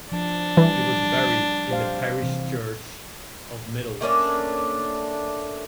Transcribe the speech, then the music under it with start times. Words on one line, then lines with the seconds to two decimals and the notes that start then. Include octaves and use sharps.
He was buried in the parish church of Middlewich.
0.12 F3 D4
0.57 E3 G3
1.69 G4 C5 F5
2.21 C3 E3 C4
4.01 A3 A#3 C#4 D4